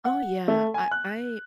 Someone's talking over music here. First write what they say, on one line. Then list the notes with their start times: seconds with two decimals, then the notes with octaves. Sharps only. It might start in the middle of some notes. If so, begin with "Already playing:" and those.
Oh, yeah, I I
0.05 F#5
0.48 A3
0.74 G#5
0.91 F#6